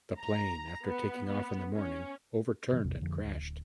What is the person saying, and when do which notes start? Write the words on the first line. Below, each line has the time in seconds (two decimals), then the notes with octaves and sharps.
The plane after taking off in the morning overturned and crashed.
0.19 A#5
0.84 B3
1.28 B3
1.72 C#4
2.72 C3 E3 F#3
2.85 A#1 E2 G2 C3
3.02 F2 D3 F3
3.24 D2
3.40 D1